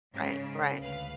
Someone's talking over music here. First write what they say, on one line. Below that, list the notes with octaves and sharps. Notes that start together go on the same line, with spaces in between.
Right, right.
G#2 C#3
D2 B4 F5